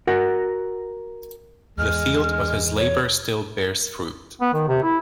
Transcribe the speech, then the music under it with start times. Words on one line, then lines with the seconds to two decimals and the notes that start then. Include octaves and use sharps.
The field of his labor still bears fruit.
0.07 F#4 A#4 F#5
1.78 E2 G#3 F6
2.77 C#5
4.41 B3
4.53 D#3
4.68 C3
4.83 E4